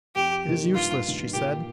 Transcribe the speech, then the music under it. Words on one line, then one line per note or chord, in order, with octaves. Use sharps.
"It is useless," she said.
F2 G4
D#3 A#3 D#4
G2 F4
D#3 A#3 D#4
A#2 G4